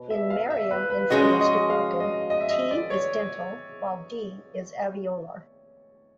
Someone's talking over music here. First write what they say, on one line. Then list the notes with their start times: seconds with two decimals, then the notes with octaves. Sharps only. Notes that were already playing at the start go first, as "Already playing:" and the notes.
In Meriam influenced Broken, t is dental, while d is alveolar.
Already playing: B2
0.10 E5
0.30 F5
0.50 E5
0.71 B4
0.90 B4
1.10 F3 G#3 C#4 F#4 D#5
1.41 D#5
1.70 F5
2.00 D#5
2.30 D#5
2.41 E5
2.50 D#5
2.71 D5
2.90 C#5